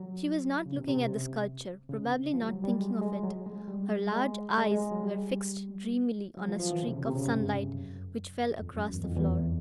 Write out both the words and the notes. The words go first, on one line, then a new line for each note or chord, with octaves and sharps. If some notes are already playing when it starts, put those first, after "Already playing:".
She was not looking at the sculpture, probably not thinking of it: her large eyes were fixed dreamily on a streak of sunlight which fell across the floor.
Already playing: F#3
C#3
C3
C3
C#3
F3
G3
F#3
G3
G#3
G#3
F#3
G#3
G3
G#3
G#3
G#3
F#3
G3
F#3
F3
F3
E3
D3
C3
C#3
C3
C#3
G2
F#2
F2
F#2
E2
F2
E2